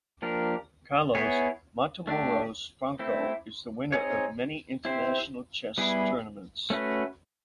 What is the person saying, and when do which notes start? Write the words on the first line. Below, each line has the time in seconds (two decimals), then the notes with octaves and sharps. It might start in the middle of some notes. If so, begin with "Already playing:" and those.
Carlos Matamoros Franco is the winner of many international chess tournaments.
0.22 F3 A#3 D4 G4 A#4
1.15 B3 E4 G#4 C#5
2.07 A3 D4 G4
2.99 A3 C4 E4
3.92 C4 D#4 G#4 C#5
4.85 C4 E4 G4 C5
5.78 G3 B3 E4 G#4
6.70 A3 C#4 F#4 B4